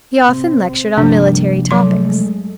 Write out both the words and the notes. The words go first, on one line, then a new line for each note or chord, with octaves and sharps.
He often lectured on military topics.
C3 C4
G1 C3 F3 G3 A#3 D4
F#3 G#3 A3 C6